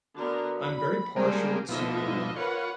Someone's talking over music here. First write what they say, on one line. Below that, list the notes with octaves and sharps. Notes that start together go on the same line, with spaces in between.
I'm very partial to
D3 B3 F#4 A#4 D5
B5
G3 G#3 A#3 C5 D5 A5
B2 D3 F3 D#4 B4 D#5 E5
F4 A#4 B4 C#5 F#5